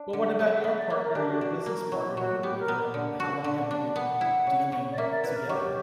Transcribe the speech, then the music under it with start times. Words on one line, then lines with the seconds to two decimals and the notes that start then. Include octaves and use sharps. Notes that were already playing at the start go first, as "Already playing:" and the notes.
Well, what about your partner, your business partner, or whatever, um, how long have you been dealing together?
Already playing: D4
0.13 D3
0.39 B3 C#5
0.51 E5
0.60 F#5
0.64 B3 E5
0.77 D5
0.90 A#3 C#5
1.03 A#4
1.15 D4 G4
1.28 F#4
1.41 D4
1.66 A#3
1.92 F#3 E4
2.10 G4
2.17 F#3 F#4
2.42 B3 G4
2.60 A#4
2.68 B3
2.94 D3
3.20 F#4
3.44 D3
3.71 D4
3.96 B3 F#5
4.21 E4
4.47 C#3
4.72 C#3
4.91 D5
4.97 A#3 E5
5.11 D5
5.24 E4 B4
5.36 A#4
5.49 F#3 G4